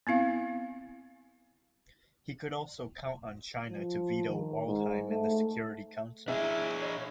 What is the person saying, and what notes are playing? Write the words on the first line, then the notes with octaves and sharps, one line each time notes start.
He could also count on China to veto Waldheim in the Security Council.
B3 C4 E4 F5
F3
D#3
G#2
A3
D4 E4 G#4 D#5 E5
C#5 D#5